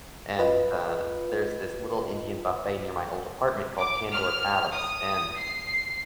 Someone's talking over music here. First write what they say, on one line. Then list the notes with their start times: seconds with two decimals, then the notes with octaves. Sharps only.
and, uh, there's this little Indian buffet near my old apartment called Tandoor Palace, and
0.39 F4 B4 D#5
3.79 D6
4.13 F6
4.75 D#6
5.39 C7